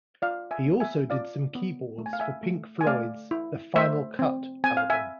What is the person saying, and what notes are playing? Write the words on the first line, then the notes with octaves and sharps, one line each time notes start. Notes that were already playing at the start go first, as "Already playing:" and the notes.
He also did some keyboards for Pink Floyd's "The Final Cut" album.
F4 D5 F5
E5 G#5
B3
E5 G#5
F4 D5 F5
B3
A3
G#5
F5
E5 G#5
A3
G#5
A3 D5 F5
E4
A3 C5 E5
C4
C4 G#5
F5
E5 G#5